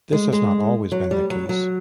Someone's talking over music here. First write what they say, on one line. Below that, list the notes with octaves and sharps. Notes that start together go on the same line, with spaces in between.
This has not always been the case.
G#3
G#3
F#3
G3
F#3
F#3